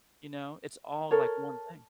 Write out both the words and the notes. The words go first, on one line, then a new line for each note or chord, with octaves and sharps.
you know, it's all like one thing.
A4 A#4 C#5